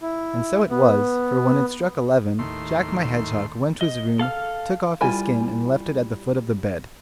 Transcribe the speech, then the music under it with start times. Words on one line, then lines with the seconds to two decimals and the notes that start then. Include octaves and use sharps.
And so it was, for when it struck eleven, Jack my Hedgehog went to his room, took off his skin and left it at the foot of the bed.
0.01 E4
0.70 B3
2.39 D#2 A2 C6
3.81 D#5
4.19 A4 F5 F6
5.01 G3 E4 F4 G#5